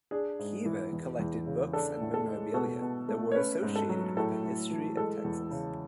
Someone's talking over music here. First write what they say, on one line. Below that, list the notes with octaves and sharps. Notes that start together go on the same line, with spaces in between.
Keever collected books and memorabilia that were associated with the history of Texas.
D4 G#4
G#2
E3
E2
E2
C#3
D4 A4
A2
A4
G#3
B2 A4
B2
A3
C#5
C#4 B4
G#2
A4
F#3
A2 A4
A2
E3
G#3 A4
E2
C#3